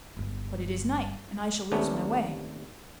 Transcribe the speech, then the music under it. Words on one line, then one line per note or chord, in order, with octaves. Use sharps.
"But it is night, and I shall lose my way."
G1 G2
D#2 C3 A3 B3 C#4 D4